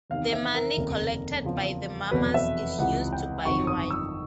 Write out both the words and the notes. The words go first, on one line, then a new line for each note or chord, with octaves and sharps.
The money collected by the mummers is used to buy wine.
E2 C3 D#3 F5
E5
A#4
F1 D#2 C#3
E2 C#3 F3
F1 E2 B2 F#3 B4
E5
C#2 C3 E3 F#5
G5
G1 F2 C3 D#3 F#3 C#6
D#6
E6